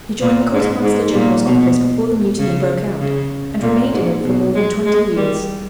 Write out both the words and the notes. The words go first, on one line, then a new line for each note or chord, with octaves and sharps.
He joined the Quartermaster-General's office before the mutiny broke out, and remained in it for more than twenty years.
A#2
G#2
G#2
A#2
B2
C#3
C#3
A#2
G#2
B2
G#3
G#3
G3